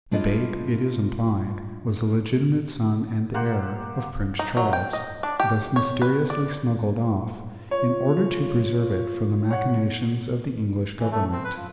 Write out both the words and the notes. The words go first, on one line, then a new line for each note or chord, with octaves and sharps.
The babe, it is implied, was the legitimate son and heir of Prince Charles, thus mysteriously smuggled off in order to preserve it from the machinations of the English government.
G#3 D4 E4 F4 D#5
A#3 G4 C5 F#5
D#4
F#3
G5
D#5
D4
G4
C#5
B4
D5
F4 C#5
C#5 F#5
E3
A3
C4
B4
F3